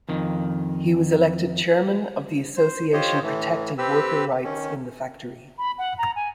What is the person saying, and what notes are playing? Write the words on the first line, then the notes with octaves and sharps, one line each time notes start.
He was elected Chairman of the Association protecting worker rights in the factory.
F2 D#3
C5
F4 G4 C5 C#5 D#5
A2 E3
C4 G4 B4 E6
D#3 C#4
B5
F#5
A#5
G#5